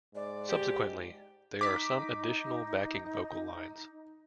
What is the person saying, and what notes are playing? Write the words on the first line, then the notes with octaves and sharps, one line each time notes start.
Subsequently, there are some additional backing vocal lines.
G#2 D5
G4
D#4 D6 B6